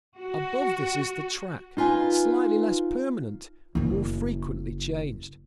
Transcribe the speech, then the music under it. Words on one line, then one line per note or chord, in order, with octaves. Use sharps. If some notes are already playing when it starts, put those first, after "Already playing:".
Above this is the track, slightly less permanent, more frequently changed.
F#4
D#4 F4 B4 G#5
F#1 E4